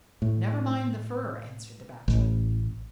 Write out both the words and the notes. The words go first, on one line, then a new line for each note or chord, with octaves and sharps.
"Never mind the fur," answered the Bachelor.
A2
A1